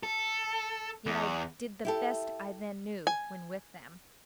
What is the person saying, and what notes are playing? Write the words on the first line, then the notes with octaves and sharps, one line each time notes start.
Yet I did the best I then knew, when with them.
A4
E2
E4 G4 A4
G#5